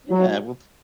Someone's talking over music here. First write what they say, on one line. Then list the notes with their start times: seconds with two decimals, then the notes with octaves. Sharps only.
Yeah, well
0.10 F#3